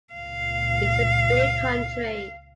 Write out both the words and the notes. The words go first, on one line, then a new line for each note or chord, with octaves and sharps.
It's a big country.
C#2 A#2 F5